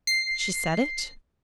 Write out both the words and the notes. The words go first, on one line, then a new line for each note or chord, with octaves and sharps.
She said it?
C7